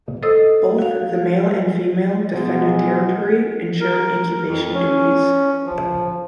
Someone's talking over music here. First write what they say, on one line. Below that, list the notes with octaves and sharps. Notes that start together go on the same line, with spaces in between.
Both the male and female defend a territory and share incubation duties.
A4 C5 D#5 D#6 E6
F#4 F5
B2 F#3 G#3
A#4
F2
C#4
F3